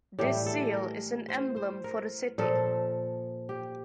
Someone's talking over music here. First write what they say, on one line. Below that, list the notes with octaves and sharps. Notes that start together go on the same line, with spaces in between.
This seal is an emblem for the city.
A2 E3 G3 G4
A4
A#4
C5
C5
A#4
A#2 F3 A4
G4